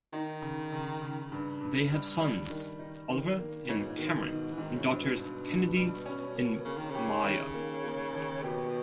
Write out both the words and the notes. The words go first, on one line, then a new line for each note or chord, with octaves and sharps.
They have sons - Oliver and Cameron, and daughters Kennedy and Maya.
D#3 D#4
C#3
C#3
C#3
G2
G2
G3
G3
D#3
D#4
D#3
A#3
G#2 C#3
B2
A#2
B2 D#3
G#2
E3
G#2
D#3
C#3
G2 B2
G2
G2
G3
C#4
A#3
C#3 A#3
D#3
C#3 G4
D#3
A#3
A#3
D#2
B2 G4